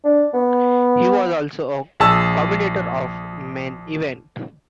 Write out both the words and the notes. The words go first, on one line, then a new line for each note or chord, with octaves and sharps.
He was also a commentator of "Main Event".
D4
B3
A#1 G#4 A5 E6